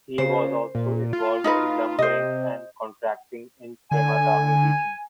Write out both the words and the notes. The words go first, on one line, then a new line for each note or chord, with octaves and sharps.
He was also involved in lumbering and contracting in the Temagami region.
C#3 C5
A#2
F4
D#4 A#4 B4
C3 C5 D#5
D3 G#5